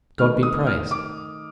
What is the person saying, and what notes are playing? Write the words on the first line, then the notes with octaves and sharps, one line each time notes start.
God be praised!
D#3 A3 D#4 A#4 F6
D#6
F6
D6